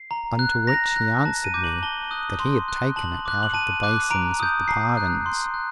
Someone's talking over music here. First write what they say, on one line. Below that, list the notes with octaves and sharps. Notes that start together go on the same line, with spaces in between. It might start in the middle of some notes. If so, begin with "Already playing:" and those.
Unto which he answered me that he had taken it out of the basins of the pardons.
Already playing: C7
A#5
F#6
A#5 A#6
F#6
A5
D#7
D6 G6
F#7
A5 G7
D#6 F#6
C6
F#6
A5 F#7
D6 F#6
F#7
A5 D#7
D6 F#6
A#5 D7
D#6 G6
A#5 C7
F#6
C6
F#6